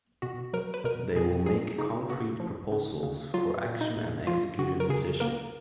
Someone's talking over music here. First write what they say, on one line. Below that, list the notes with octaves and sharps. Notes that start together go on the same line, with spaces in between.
They will make concrete proposals for action and executive decision.
B2 F#4
F#3 A#4
B4
B2 A#4
B2 G#4
F#3 G#4
C#3 D#4
C#3 F#4
F3
C#3
C#3
F#3 F4
A#2
D#4
A#2
F3 F4
C#3 F#4
A#4
C#3 G#4
A#3 A#4